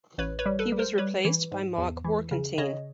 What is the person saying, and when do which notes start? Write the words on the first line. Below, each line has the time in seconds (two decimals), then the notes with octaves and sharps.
He was replaced by Mark Warkentien.
0.18 A1 B4 C#5
0.39 B4 C#5
0.46 G3
0.59 A4 B4
0.72 G3
0.79 A#4 C5
0.98 G3 B4 C#5
1.25 E3
1.52 G#2
1.78 E2
2.04 E3
2.31 C#3
2.58 C#3 C#5 D#5